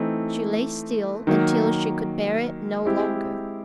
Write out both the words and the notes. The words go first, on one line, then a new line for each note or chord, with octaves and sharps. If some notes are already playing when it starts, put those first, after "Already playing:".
She lay still until she could bear it no longer.
Already playing: E3 A3 C4 D#4
D#3 F#3 A#3
G#3 C4 E4 G4